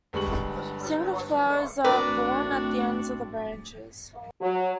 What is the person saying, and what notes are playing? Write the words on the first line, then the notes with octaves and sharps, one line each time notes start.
Single flowers are borne at the ends of the branches.
G1 G3 G#3 C#6 F#7
A1 A3 C4 D4 F#4 A#4 B4 D5
F#3